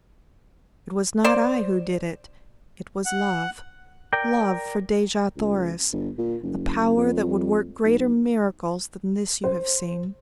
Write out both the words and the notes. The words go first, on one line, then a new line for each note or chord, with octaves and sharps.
"It was not I who did it, it was love, love for Dejah Thoris, a power that would work greater miracles than this you have seen."
C5 D5
F#5
A#4 D5 G5
C#2
G1
A#2
F#1
F2
B1
C5